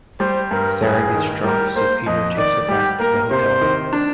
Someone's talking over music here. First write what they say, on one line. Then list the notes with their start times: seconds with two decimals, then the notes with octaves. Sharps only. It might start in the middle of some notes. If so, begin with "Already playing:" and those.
Sarah gets drunk so Peter takes her back to the hotel.
0.20 G3 C5
0.51 G2 A#4
0.82 G2 G#4
1.14 D#3
1.44 G3 A#4
1.75 A#3 C5
2.06 F2 D#5
2.37 D#3 D5
2.69 G3 G4
3.00 A#3 A#4
3.31 C3 C5
3.61 D#3
3.93 D4